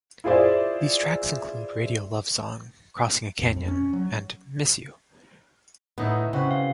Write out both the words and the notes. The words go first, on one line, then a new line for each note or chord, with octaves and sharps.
These tracks include "Radio Luv Song", "Crossing a Canyon", and "Miss You".
E4 F4 G#4 C5 D5 E5
F2
F2
C#4
F#3
A2 D3 B3 D#4 E4
C#3 C4 F#4 B4
F5